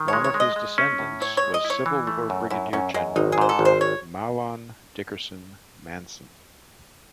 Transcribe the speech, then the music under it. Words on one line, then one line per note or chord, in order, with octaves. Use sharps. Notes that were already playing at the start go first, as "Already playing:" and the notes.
One of his descendants was Civil War Brigadier General Mahlon Dickerson Manson.
Already playing: D#3
G#3 C#5
C#5
G#3
D#5
G#3
C#4
A2
E4 C#5
C#5
G#3
D#5
E4
C#5
E3
A3
F#2
F#2 E4
F#2 C#4
F#2 G#3
G#1 D#4
G#4
G#2 C5
A4
G#1
C5
C#5